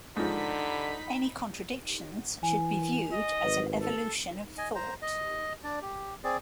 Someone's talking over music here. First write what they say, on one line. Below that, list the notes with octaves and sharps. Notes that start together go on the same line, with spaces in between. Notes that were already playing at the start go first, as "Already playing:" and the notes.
Any contradictions should be viewed as an evolution of thought.
G#2 D3 F3 D#4 B5 B6
E3 G#5
D#5
G#1 B4
A4
D#5 G#5
C5 A#5
D#5
D4 D5
G4
C4 G#4 D5